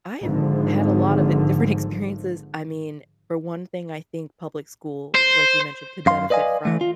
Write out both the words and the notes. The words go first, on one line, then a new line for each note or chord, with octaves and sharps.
I've had a lot of, uh, different experiences. I mean, for one thing, I think public school, like you mentioned, could benefit from:
G#1 D3 F3
C5
F#2 F5 C6
B4 D5 D#5 F5 G#5
E3 A3
F4